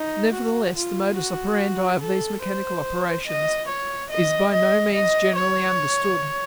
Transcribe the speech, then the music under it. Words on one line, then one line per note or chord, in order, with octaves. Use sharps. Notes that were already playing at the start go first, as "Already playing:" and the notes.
Nevertheless, the modus operandi of these mechanical operations is by no means generally understood.
Already playing: D#4
F#4
F4
F#4
A4
C5
D#5
C#5
D#5
D#5
D#5
C#5